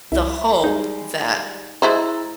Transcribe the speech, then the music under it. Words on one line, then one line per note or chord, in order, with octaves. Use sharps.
the hope that
C2 E4
G3 G#3 D#4 G#4
G#3 E4 C5 A#5 E6 A6